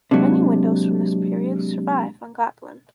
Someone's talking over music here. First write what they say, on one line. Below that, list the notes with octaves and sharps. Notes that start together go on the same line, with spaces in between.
Many windows from this period survive on Gotland.
C3 F#3 G#3 A#3 D4